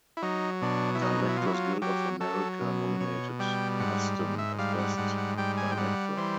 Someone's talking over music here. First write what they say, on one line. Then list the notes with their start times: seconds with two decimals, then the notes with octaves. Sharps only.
Directors Guild of America nominated Huston as best director.
0.17 E4
0.22 F#3 D#4
0.62 B2 D4
0.95 E4
1.02 F#3 D#4
1.29 E4
1.37 F4
1.41 F#3
1.46 E4
1.54 F4
1.82 F#3 G4
2.21 F#3 A4
2.61 B2
3.00 B2 C#5
3.39 G3 G5
3.80 G#2 F#5
4.19 G#2
4.39 E5
4.58 G3 F5
4.79 F#5
4.98 G#2 F#5
5.18 F#5
5.38 G3 G5
5.57 G#5
5.72 G5
5.77 G3 F#5
6.17 E3 C5